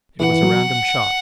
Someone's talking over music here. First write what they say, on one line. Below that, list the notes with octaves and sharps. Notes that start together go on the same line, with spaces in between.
It was a random shot.
E3 F#5
E3
F#3